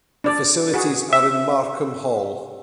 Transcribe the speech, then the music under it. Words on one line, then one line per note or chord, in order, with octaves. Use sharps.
The facilities are in Markham Hall.
D4 D5
F#4 G#4
E5